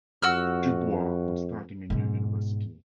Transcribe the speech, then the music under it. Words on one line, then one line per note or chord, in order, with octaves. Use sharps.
Du Bois on starting a new university.
F2 F#4 E6 F6
G#2 B2